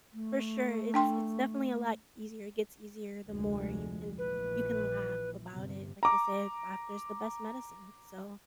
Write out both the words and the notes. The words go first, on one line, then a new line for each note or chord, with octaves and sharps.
for sure, it's it's definitely a lot easier, it gets easier the more you can you can laugh about it, like they say, "Laughter is the best medicine," so,
A3
D4 G5 C6
F1 D2 G#3
A#1 E3 B4
G1 C3
A#5 D6